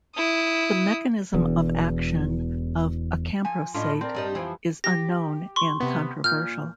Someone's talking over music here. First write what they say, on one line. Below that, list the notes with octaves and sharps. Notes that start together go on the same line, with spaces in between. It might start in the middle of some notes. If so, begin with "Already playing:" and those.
The mechanism of action of acamprosate is unknown and controversial.
E4 D#6
E1 E2
F3 G#5
A2 C#4 D4 F4 D#5 C6
C4 A#4 D5
G2 G3 D#5
F2 E3 F3 C5
G4 A#6
C6 C#6
C3 B3
A#2 F6 G6